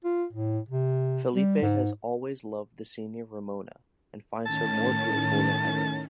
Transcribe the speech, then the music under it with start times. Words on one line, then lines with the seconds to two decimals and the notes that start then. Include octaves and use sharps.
Felipe has always loved the senior Ramona and finds her more beautiful than ever.
0.04 F4
0.33 A2
0.69 C3
1.35 G3
1.62 G#2
4.46 A2 D#3 C#4 A5